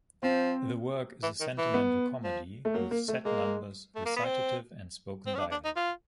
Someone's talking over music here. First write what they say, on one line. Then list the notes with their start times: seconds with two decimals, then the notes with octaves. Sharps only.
The work is a sentimental comedy with set numbers, recitative and spoken dialog.
0.23 F3 C4
1.23 E3
1.40 D#3
1.58 E3
1.74 B3
2.24 F3
2.65 A3
2.74 F#3 A#3
2.91 A#3
3.08 A3
3.25 G#3 A#3
3.96 A3
4.05 A#3
4.16 B3
4.25 C4
5.26 C4
5.35 C#4
5.39 D4
5.51 D4
5.65 D#4
5.76 F4